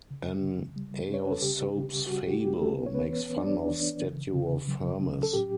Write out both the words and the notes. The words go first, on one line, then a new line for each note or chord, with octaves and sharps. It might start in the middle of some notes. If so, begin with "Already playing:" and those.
An Aesop's fable makes fun of statue of Hermes.
C#3
C#3
G3
C#4
C#5
B4
A4
C#3 G4
C#3
G3 F#4
G4
C#4 G4
A3 A4
B3 B4
C#5
B3 B4
E3
B3 D4 D5
E3
C#3
C#3
F#3
C#4
A4
A2 G4